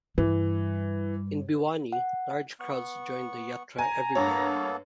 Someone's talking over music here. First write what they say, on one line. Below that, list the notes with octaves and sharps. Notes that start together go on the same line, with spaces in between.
In Bhiwani, large crowds joined the Yatra everywhere.
G2 E3
F#5
B3 C#6
G#5 A#5
G2 A#3 B3 A4 C#5